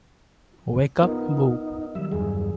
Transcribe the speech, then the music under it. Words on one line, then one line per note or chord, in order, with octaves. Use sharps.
Wake Up Boo!
B3 D#4 F4 A#4
D#3 F#3 G3 E5
E2 G2 G#4